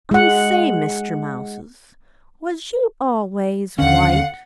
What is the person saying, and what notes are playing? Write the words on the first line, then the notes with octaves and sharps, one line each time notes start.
"I say, Mr. Mouses, was you always white?"
G#3 F#5
D#2 D3 C#4 F5 F#5